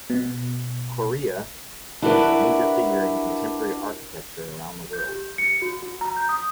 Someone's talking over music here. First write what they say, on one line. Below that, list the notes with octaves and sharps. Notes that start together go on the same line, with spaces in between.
Correa was a major figure in contemporary architecture around the world.
B2
D4 E4 F#4 G4 A#4 B4
G6
G4
C#7
F#4
F#4
A#5
G6
D#6